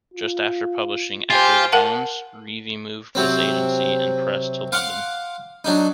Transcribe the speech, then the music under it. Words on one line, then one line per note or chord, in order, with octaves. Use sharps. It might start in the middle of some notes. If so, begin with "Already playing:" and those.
Just after publishing "Echo's Bones", Reavey moved this agency and press to London.
F4
F4 G4 C5 G#5
A#4 F5 F#5 A5
C3 F#3 C4
F5 F#5 C6 D6
F#3 D4 D#4